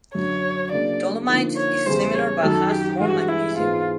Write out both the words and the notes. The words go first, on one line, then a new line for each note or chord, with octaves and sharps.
Dolomite is similar but has more magnesium.
F#2 D3 F#3 C#5
C#3 F#3 A#3 D4 D5
D3 F3 A#3 D#4
C#5
E2 C#3 E3 G3 C5
C#5
F#2 D#3 F#3 A4
G4
G2 E3 G#3 F#4
E4
G#2 E3 G#3 B3 F4